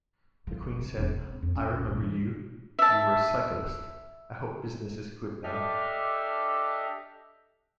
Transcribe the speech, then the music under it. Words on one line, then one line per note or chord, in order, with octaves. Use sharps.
The Queen said, 'I remember you-you were a cyclist-I hope business is good now'.
F3
G1
C3
E1
A#2
C4
F2
C#4
C#2
A#1
E3
E5 A5
D4 G4 A4 D#5 E5 F6